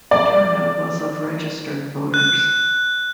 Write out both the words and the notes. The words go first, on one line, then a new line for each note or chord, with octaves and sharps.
The turnout was of registered voters.
D5
F#6